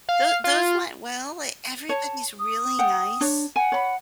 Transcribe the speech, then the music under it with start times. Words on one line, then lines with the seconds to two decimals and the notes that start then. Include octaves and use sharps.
Tho those went well, e everybody's really nice,
0.09 F5
0.44 F4
1.89 C#5 A5
2.39 D#6
2.79 F#5 G5
3.21 D4 C#5
3.56 F#5 G#5
3.72 C#5 B5